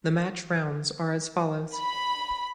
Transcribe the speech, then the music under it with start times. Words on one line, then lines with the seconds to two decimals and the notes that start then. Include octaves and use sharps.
The match rounds are as follows.
1.75 B5